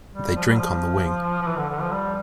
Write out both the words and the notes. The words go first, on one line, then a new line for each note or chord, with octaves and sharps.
They drink on the wing.
G3
F3
G3
F3
F3
E3
D3
D3
F3
G3